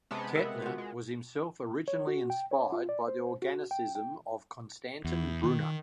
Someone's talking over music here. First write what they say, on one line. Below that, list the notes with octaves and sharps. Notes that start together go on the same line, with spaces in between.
Kettner was himself originally inspired by the organicism of Constantin Brunner.
C3 G#3 B3 C#4 A5
A4 A#4 E5 B5
F4 F#4
G#3
C#5
F#4
G5
C#5
F4
D5
C5
F#4
G5
G5
E2
D#3